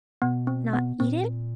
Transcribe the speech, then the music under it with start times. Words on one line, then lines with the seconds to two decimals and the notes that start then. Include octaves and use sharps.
Not eat it?
0.22 B2 B3
0.47 C4
0.73 B3
1.00 A#2 C4